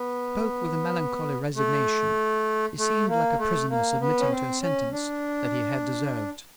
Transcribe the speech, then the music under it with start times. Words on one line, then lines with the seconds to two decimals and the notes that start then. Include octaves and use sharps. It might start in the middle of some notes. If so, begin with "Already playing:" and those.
He spoke with a melancholy resignation--he seemed like a prisoner submitting to a sentence that he had deserved.
Already playing: B3
1.56 A3
2.78 A3
3.09 A#3
3.39 A3
3.70 A#3
4.01 B3
4.20 C#4
4.31 C4
4.61 C#4
4.92 D4